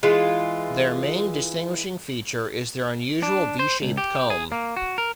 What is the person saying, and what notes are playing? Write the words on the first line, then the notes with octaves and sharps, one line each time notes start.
Their main distinguishing feature is their unusual V-shaped comb.
E3 G#3 F4
D4
C5
C#2
G4
G#4
A#3
F#4
A#4